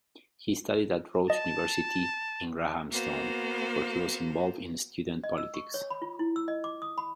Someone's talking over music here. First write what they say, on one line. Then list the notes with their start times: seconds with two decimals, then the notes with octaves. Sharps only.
He studied at Rhodes University in Grahamstown, where he was involved in student politics.
1.30 D#5 A5
2.90 A#3 B3 F#4 C5 F5
5.24 D#5
5.38 E6
5.54 C#6
5.74 C#5
5.90 B5
6.02 F4
6.19 E4
6.36 E6
6.48 D#5
6.64 D6
6.82 D#6
6.98 B5